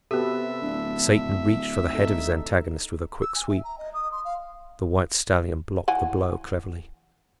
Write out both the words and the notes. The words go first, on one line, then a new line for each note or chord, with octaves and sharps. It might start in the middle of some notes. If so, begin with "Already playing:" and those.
Satan reached for the head of his antagonist with a quick sweep. The white stallion blocked the blow cleverly.
C3 B3 F#4 G4 A4 B4 E5
D1 D4
D#4 A4
E6
G#5
E5
A#5
D#5
D#6
C6
F5
E3 F#5 G#5